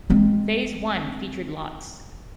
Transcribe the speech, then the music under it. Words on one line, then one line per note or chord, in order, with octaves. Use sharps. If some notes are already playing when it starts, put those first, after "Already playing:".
Phase one featured lots.
G#3 C4